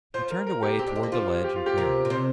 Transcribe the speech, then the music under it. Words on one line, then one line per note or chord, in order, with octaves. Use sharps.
He turned away toward the ledge and clearing.
F3 C5
A#4
A#4
G4
C4 G4
D4
C4
A#3
F3 F4
G4
F4
G4
C3 A#4
A#2
C3 C5